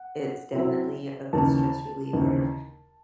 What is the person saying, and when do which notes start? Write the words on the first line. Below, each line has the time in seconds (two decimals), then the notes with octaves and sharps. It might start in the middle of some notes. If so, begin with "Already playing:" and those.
it's definitely a good stress reliever,
Already playing: F#5
0.53 C3 F#3 C4 E4
1.33 D#2 C#3 E3 A5
2.13 D#2 C#3 E3